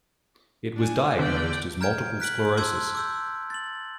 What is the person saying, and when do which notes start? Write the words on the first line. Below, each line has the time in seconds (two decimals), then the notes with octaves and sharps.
It was diagnosed as multiple sclerosis.
0.76 D4 G#5
1.19 D3 B3 D5 G5
1.81 A#5 F6 G6 G#6 D7
2.20 F#6 B6 D7 F#7
2.57 A5 C6 D6 E6 G#6
2.95 D6 E6 G6
3.50 A6 F#7